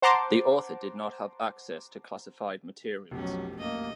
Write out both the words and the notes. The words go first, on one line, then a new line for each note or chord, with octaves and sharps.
The author did not have access to classified materials.
C5 F#5 A5 A#5 C6 D6
F1 B1 F3 F#3 C#4 G4
F#2 A3 A#3 D#5